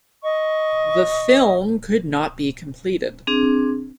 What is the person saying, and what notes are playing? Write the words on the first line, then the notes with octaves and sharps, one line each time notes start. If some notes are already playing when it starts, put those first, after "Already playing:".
The film could not be completed.
D#5 C#6
C4 D4 G#4